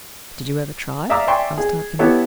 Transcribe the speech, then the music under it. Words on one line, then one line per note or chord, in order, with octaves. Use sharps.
"Did you ever try?" asked Aunt Emmy.
D5 E5 F5 A#5 D#6 E6
D5 E5 G5 G#5 C6 C#6
G#4
B3 E4 G4 A4 C#5 A5